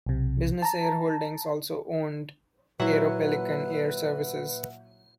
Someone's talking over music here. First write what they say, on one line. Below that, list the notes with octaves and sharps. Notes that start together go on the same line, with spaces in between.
Business Air Holdings also owned Aeropelican Air Services.
B1 C3
A5 A#5
A#2 F#3 E4 B4 E5 F#5